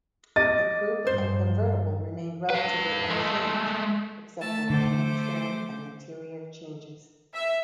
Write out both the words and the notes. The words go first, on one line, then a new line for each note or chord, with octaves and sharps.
The coupe and convertible remained relatively unchanged except for minor trim and interior changes.
D#5 D6 A6
G2 C5
B4 F5
G#3 A3
A3 A5 E6
D3 A3 C5 D6
E5